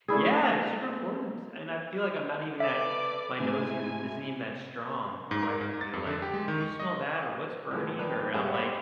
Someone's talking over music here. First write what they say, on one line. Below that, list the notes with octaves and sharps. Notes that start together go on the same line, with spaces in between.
Yeah, it's super important, and I feel like I'm not even that my nose i isn't even that strong. My wife will be like, "D do you smell that or what's burning?" Or I'm like,
A3 D4 E4 G#4
A4 B4 D5 E5 D6
G#2 C3 A3 E4 G#5
G#2
A#4
G#2
A6
F2
D3
G4
G#3
D#3
C#6
D#5
A2 F3 G#3 B3
D#3 F3 B4 D5 G5 F#6
C#2 G2 C3 G#4 C#5 F#5
G4 C5 D#5 B5 D6